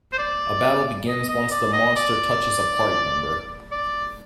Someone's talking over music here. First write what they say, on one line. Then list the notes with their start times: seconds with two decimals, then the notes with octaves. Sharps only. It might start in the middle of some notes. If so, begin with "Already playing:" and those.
A battle begins once the monster touches a party member.
0.13 C5
0.19 D5
1.08 D#5
1.29 D#5
1.51 D5
1.73 D#5
1.96 D5
3.72 D5